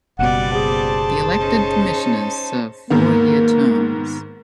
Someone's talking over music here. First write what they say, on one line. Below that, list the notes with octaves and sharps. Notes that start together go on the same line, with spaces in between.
The elected commissioners serve four-year terms.
F#1 B2 G3 B3 D5 F#5
G#4 C5 A5
C#4 D#4
G#2 D#3 A#3 B3